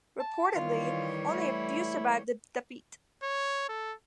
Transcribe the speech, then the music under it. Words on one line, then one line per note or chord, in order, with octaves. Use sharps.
Reportedly, only a few survived the defeat.
A5
D#3 E3 G3 F4 C#5
A3 E4
C#5
A4